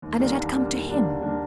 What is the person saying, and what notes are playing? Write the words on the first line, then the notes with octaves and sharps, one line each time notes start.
And it had come to him!
D#2
D3 G3 A#3 D4
D#2
D3 G3 A#3 D4
D#2
D3 G3 A#3 D4
D#2
D3 G3 A#3 D4